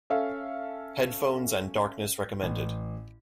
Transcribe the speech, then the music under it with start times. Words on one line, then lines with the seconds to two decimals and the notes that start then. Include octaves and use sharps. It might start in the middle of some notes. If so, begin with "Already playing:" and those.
Headphones and darkness recommended.
0.10 C#4 A4 E5 F5
2.43 A1